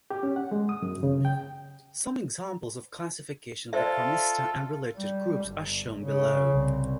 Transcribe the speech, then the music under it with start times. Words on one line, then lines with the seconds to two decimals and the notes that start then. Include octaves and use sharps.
Some examples of classification of the Chromista and related groups are shown below.
0.10 G4
0.23 C#4
0.36 F#5
0.51 G#3
0.69 D#6
0.82 F#2
1.03 C#3
1.25 G5
3.73 F4 A4 C5 D5 E5
4.96 G3
5.46 G1
6.05 C#3
6.50 C2